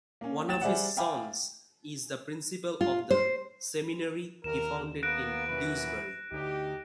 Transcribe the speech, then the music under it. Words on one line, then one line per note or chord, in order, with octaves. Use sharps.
One of his sons is the principal of the seminary he founded in Dewsbury.
A#3 C#4
A1 G5 A6 E7
G3 G#4 C5 D5 E5 F#5
E5 F5 G5 G#5 B5 D6
F4
C5
D#2 A#4 E7
A#3 B3 F#6 A#6 D7
F#2 E3 B4
D2 D#4 G4